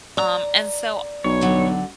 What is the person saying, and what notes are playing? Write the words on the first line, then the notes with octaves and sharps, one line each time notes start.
um, and so
D5 A#5
B1 C#5
D3 F#3